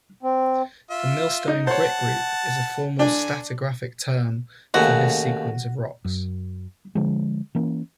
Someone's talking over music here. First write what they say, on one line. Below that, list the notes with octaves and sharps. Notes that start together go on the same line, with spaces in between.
The Millstone Grit Group is a formal stratigraphic term for this sequence of rocks.
C4
F4 E5
D#4
C5 C#5 F#5 A5
D3 D4 G#5
D#2 A2 C#3 F#4
F#2
D3 F3 G#3
E3 A#3 C#4